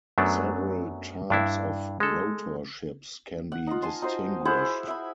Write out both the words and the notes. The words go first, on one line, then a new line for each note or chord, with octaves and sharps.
Several types of rotor ships can be distinguished.
F#2 F#3 A3 B3 D4
G2 D4 E4
G#3 A4
F#5
D#4 F4
G#5 A5 C6
D#4 F#4 C5 F5
E4 G#4 C5 F#5
E5 B5